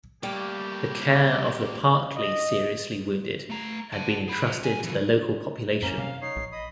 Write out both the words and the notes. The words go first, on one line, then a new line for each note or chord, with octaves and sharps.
The care of the partly seriously wounded had been entrusted to the local population.
G3 A3 A#3 G4
D#5
A3 A#5
F#5 A5
G#4 B5
F4 C5
C2 G#5
E3 F#3
F#2 A#3 C#4 A#5
C3 F5
D#4 C#5 C7
A#1
D#5 B5 D#6